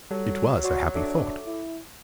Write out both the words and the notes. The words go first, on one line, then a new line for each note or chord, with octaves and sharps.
It was a happy thought.
F#3 G3 A4
F#4 C#5 D5 C6
D4 A4 E5 D6
E4